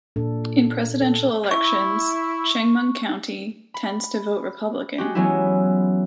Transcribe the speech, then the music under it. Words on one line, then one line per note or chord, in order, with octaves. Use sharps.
In presidential elections Chemung County tends to vote Republican.
A#2 D4 A4
A4
E4 C#6
B5
G#3 F#4 G4
E3 F#3 G#3 B3 C#4 E4